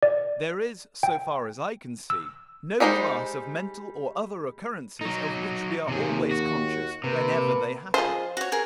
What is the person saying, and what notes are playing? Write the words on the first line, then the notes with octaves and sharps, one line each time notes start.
There is, so far as I can see, no class of mental or other occurrences of which we are always conscious whenever they happen.
D5
G5
E6
G3 G#3 D#4 F#4 C5
F#3 D#4
D#2 C3 G#4
F#4
C3 A#3 B4
F3 F4 G#4 C5 D#5
F#4 C#5
G#4 A#4